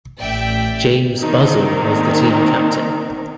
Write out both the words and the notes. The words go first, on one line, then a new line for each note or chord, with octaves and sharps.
James Buzzell was the team captain.
A1 D5 E5 G5
D#3 A#3 C4 D4 D#4 A#4